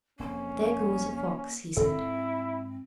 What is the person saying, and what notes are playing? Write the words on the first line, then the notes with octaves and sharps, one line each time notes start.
"There goes a fox," he said.
E1 F2 A#3 C4 C#4
G#2 C4 E4 A4